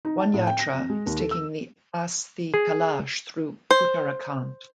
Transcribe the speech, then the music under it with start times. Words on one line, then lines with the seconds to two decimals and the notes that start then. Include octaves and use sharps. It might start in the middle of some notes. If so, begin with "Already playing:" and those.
One Yatra is taking the asthi Kalash through Uttarakhand.
0.05 D#4
0.20 A5
0.34 A2
0.47 G5
0.60 A#6
0.73 F2
0.90 G#3
1.07 D#2
1.20 A4
1.31 E6
2.54 G#4
3.71 C5